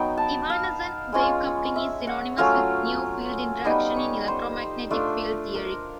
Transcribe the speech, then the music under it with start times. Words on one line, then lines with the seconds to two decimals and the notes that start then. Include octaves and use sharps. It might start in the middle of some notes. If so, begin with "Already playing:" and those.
Evanescent-wave coupling is synonymous with near field interaction in electromagnetic field theory.
Already playing: F#3 B3 D#4 G5
0.17 A5
0.50 F5
1.12 G#3 C#4 F4
1.76 E5
2.07 F#5
2.38 F#3 A3 C#4 F4 F5
3.65 G3 B3 D#4 D#5
3.96 C#5
4.28 C5
4.90 A3 D4 F4
5.55 A#4